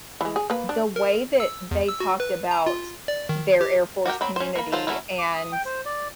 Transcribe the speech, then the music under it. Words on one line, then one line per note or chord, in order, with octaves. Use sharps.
the way that they talked about their Air Force community, and
E3 G#3
G#4
A#3 B4
D4
A#4
E6
E2
E6
F#4
B4
A#5
F4
D5
D#3
G4
F#4 G4 A#4 G5
F#3 C4 B5
C#4 C5
A#3 B5
F#3 F4 A4 C5
F#3 A3 C#4 E4
D6
D#6
G5
C5
D5